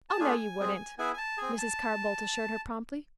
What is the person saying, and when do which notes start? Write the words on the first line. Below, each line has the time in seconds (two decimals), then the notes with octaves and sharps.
"Oh, no, you wouldn't," Mrs. Carr-Boldt assured her promptly.
0.09 A5
0.19 A3 D4 F4 G#4 G#5
0.60 G#3 C4 G#4
0.98 B3 E4 G#4 G#5
1.14 G#5
1.18 A5
1.38 C4 G#4 G#5
1.58 A5